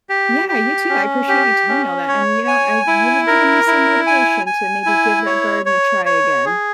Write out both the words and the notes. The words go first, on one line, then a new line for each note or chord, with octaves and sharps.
Yeah, you too. I appreciate you telling me all that. And you know, I you have given me some motivation to maybe give that garden a try again.
G4
G4
C#4
G4
C#4
C#5
G#5
E4
A#4
E4
G#5
G#5
E4
C#5
C#5
C#5
G#4